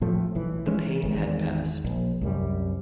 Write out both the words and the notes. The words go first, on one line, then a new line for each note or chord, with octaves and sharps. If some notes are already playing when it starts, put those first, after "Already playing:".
The pain had passed.
A2 F3 A3
B1 E3
E3 G#3 C#4
G#1 E2 G#2
A#1
C2 F#2 G3